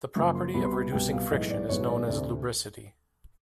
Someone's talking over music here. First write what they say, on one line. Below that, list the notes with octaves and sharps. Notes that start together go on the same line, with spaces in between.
The property of reducing friction is known as lubricity.
F#2 C#3 F3 A#3 C#6
C6
C2 B2 G3 B3 B5
C6
B5
C2 B2 G3 B3 G5
F5
B1 A2 E3 G#3 B3 D#5
D5
B1 A2 E3 G#3 B3 C#5
D5
D2 C3 D5